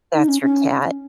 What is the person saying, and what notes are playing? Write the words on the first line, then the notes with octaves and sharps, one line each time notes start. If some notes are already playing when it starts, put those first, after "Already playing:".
That's your cat."
D#4
C#4
C#4